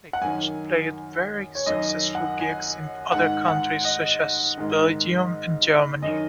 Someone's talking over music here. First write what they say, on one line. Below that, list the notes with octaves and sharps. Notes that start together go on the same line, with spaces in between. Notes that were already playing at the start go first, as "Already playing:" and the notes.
They also played very successful gigs in other countries such as Belgium and Germany.
F#5
F#2 D#3 G#5
C#5
F#2 D#3 D#5
F#5
G#5
G#2 D#3 F#5
F#5
D#5
G#2 D#3
F#2 D#3 D#5